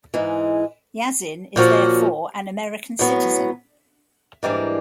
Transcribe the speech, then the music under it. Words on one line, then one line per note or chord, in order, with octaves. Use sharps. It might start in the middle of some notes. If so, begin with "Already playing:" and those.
Yasin is therefore an American citizen.
G#2 E3 G#3
A#2 F3 A#3 C#4 F#4
A2 F#3 B3
G#2 E3 G3 A#3 D4